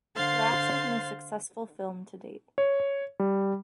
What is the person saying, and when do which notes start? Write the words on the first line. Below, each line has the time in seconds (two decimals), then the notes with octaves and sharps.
Carax's most successful film to date.
0.15 D3 C5 F5 C6 A6
2.58 C#5
3.19 G3